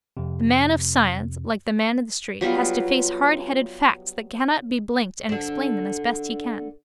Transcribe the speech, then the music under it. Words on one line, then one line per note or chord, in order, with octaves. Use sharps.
The man of science like the man in the street has to face hardheaded facts that cannot be blinked and explain them as best he can.
F2 C3
F#3 G3 B3 F4
D3 D4